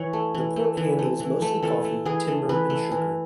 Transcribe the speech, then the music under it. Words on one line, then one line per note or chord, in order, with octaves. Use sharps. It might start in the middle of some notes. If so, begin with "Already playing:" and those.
The port handles mostly coffee, timber and sugar.
Already playing: E3 C#5
A3
E3
A3
E3
A3
E3
A3
E3 A4
A3
E3 G#4
A3
E3 B4
A3
E3